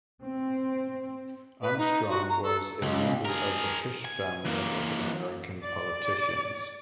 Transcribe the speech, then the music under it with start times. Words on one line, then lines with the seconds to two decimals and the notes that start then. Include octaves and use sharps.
Armstrong was a member of the Fish Family of American politicians.
0.21 C4
1.62 B4
1.78 D#4
2.09 F#4
2.29 A#5
2.43 A4
2.82 C#2
3.25 G#4 A#4
4.05 G#5
4.45 E3 A#3
5.63 D5